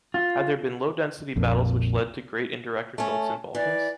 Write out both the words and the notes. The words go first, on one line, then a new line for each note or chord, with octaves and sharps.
Had there been low-density battles which lead to great indirect results in Balkans?
F4
A#1 F2 A#2
A3 C#4
E3 D5